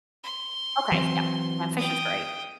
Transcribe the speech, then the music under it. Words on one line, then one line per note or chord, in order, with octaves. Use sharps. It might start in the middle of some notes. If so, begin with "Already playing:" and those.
Okay, yep. Yeah, fish is great.
C6
E3 F#3 C4
G5 D#6